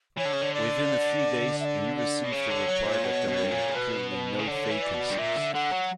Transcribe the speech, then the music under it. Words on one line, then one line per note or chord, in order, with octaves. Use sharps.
Within a few days he received a reply that there were currently no vacancies.
E3 C#5
D3
C#3
D3
D5
E5
D5
D5
B2
C#3 C#5
D3
F#3
A#2
B2
B2
G2
A#2
C#3
B2 B4
C#5
B4
C#3
D3 C#5 D5
E3
D5
B2
G2
A#2 E5
D3
D3 F#5
F#3